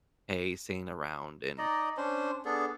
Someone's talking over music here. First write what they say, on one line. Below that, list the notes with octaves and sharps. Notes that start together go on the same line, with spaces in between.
hey, sitting around and
D#4 D5 D#5 A#5
C#4 D4 C5
B3 D4 G#4 A4